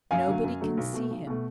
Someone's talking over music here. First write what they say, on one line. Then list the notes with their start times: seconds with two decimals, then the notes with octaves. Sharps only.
Nobody can see him.
0.11 F#2 F5 G#5
0.28 D3 F#3 A3
0.44 F#2
0.61 D3 F#3 A3
0.77 B1
0.94 B2 A3
1.11 B1
1.27 B2 A3